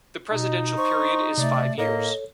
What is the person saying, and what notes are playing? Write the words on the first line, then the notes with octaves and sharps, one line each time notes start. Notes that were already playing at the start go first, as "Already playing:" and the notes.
The presidential period is five years.
B2 D#4
C5 C#6
C3 A3 D5
A2 A#3 A4 C#5 D#5